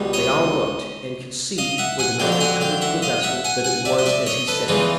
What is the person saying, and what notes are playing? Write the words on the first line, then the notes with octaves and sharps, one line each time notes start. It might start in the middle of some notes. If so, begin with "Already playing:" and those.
They all looked, and could see, where the knife had cut into the vessel, that it was as he said.
Already playing: C#2 B2 G3
C#5 D#5
D#5 F5
E5 F#5
F#5 G#5
F2 D3 F#3 F5 G5
G5
F#5 G#5
F5 G5
E5 F#5
D#5 F5
E5 F#5
F#5 G#5
F#5 G#5
D5 E5
D#5
D5 E5
C#5 D#5
A4 B4
E2 C#3 E3 G#3 D#4 F4